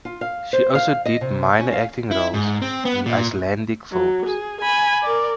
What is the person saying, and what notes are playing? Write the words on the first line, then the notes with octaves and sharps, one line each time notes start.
She also did minor acting roles in Icelandic films.
F4
F5
C5
F5
D#5
C3
C#4
F5
E4
G#2
C4
B3
A#2
F#3
G#4
G#5 B5
A#4 D5